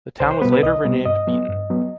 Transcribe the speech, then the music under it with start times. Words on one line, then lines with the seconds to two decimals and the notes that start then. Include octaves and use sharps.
The town was later renamed Beeton.
0.20 C2 C5
0.31 C5
0.42 B2 G3 B3 B4
0.52 B4
0.63 C2 D#5
0.84 B2 G3 B3
1.06 G2 D#5
1.27 F#3 B3
1.49 G2
1.70 F#3 B3